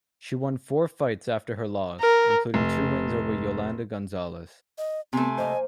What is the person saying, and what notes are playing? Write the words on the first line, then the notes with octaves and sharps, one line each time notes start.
She won four fights after her loss, including two wins over Yolanda Gonzalez.
A#4
F1
D#5
C3 A3 B3 G#5
A#3 C5 D#5